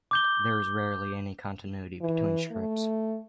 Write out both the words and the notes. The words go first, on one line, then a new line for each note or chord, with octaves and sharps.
There is rarely any continuity between strips.
D6 G6 G7
E3
A3